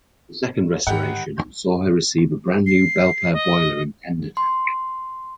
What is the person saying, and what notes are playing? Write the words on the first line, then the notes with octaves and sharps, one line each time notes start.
The second restoration saw her receive a brand new Belpaire Boiler and tender tank.
G#1 G#2 D3 G4 F#5
C7
D#5
C6